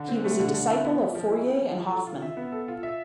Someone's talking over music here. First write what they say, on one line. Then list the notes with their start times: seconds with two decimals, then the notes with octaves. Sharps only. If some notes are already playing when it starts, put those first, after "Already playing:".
He was a disciple of Fourier and Hoffman.
Already playing: D3
0.09 C4
0.24 A3
0.39 D3
0.54 D3
0.70 E4
0.85 B3
1.00 F3
1.15 F3
1.30 E4
1.46 B3
1.60 F3
1.77 F3
1.91 A4
2.07 F4
2.22 E5
2.37 B3
2.52 A4
2.68 F4
2.83 E5